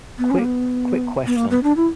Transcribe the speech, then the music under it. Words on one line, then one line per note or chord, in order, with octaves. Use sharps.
quick quick question.
B3
C#4
A#3
B3
B3
A#3
B3
D4
E4